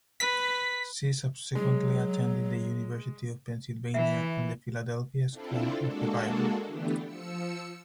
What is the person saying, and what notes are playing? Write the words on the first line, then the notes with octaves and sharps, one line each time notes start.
She subsequently attended the University of Pennsylvania and the Philadelphia School of the Bible.
B4 B6
F#3 G#3
E3 E5
C4 D4 E4 F4 A4
G#3 A#3 D4 F#4 A4
D3 E3 A3 B3 D4 G4
F3 E6 C#7